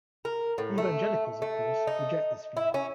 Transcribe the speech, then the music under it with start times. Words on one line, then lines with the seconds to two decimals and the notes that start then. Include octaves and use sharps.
Evangelicals, of course, reject this view.
0.25 A#4
0.58 A2
0.78 A3
1.42 A3
1.87 D#4
2.57 E4
2.74 C#4